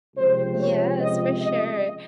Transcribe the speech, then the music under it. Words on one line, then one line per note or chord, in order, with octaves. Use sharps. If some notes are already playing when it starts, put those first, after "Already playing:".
Yes, for sure,
C#2 C3 F3 C4 C5
C#5
D#5
D#5